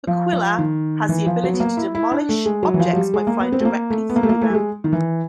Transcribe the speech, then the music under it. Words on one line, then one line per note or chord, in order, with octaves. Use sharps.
"Aquila" has the ability to demolish objects by flying directly through them.
F3
F3
D#3
E3
F3
F#3
B3
A#3
E4
E4
D4
A3
G#3
F#3
E3
F3
F#3
G3
G#3
A#3
B3
C4
A3
A#3
A3
B3
A#3
A3
A#3
A3
G3
G#3
D#3
E3